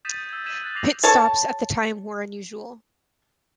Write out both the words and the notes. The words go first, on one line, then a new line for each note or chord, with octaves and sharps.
Pit stops at the time were unusual.
D#6 G6 A6 B6 D#7 E7
D#6 D#7
E6 G#6
G#6 A6 B6 D#7 E7 F#7
F#6 G#6 A6 B6
D6 A#6 C7 F7 F#7
A4 C#5 A5